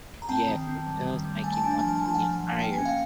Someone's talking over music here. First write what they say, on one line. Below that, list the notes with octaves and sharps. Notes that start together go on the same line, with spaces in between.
yes, it does make you wanna be inspired.
A#5
C4 G5 A5
D#3
C4
G3
D#3
G3
A3 G#5
A5
D4 G#5
A5
G#5
F3 A5
G#5
F3 A5
F#5 G#5
F3
F3
A#3 G5
G#5
C#4
F5 G5